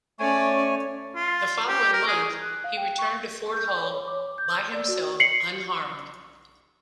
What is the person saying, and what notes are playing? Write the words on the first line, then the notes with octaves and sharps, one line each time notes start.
The following month he returned to Fort Hall by himself unharmed.
A3 C#4 C#5 D5 G#5
F4
G4
A#4
G#4
F#6
F5
G5
C#6
G6
C#5
D6
G6
E6
D5
F#4
C7 C#7 F#7